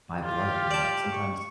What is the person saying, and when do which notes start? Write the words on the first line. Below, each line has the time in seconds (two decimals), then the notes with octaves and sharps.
by blood, you know? Sometimes
0.23 F4 G4 F5
0.71 D5 A5
1.11 C#6